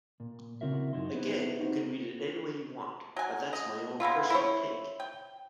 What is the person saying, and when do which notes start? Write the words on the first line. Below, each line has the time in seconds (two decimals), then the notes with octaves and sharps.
Again, you can read it anyway you want, but that's my own personal take!
0.20 A#2
0.61 C#3 C4 E4 F#4 A#4 E5
0.93 F#2 D#4 E4 F#4 C6
1.14 B3 D#4 E4 B4 C5
1.60 C4 D#4 F#4 G4 C5
3.16 F#3 G#5
3.53 D#5
4.00 G#3 B3 E4 F4
4.30 E4 C5 C#5
5.00 G5